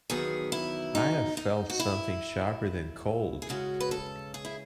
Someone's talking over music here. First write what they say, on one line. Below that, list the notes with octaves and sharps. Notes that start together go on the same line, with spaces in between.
I have felt something sharper than cold.
E2 D#3 F#3 B3 G#4
E4
D#4
D#4
F#4
E4
G#4
C#3 G#3 C#4 F#4
B4
A4
G#4
E4